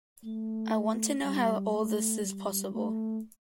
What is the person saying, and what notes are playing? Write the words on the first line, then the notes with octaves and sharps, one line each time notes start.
I want to know how all this is possible.
A3
G3
A3
G3
A3